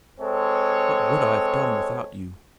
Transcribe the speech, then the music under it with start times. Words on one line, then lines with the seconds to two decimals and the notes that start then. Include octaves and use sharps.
'What would I have done without you?'
0.20 G#3 C4 A4 C#5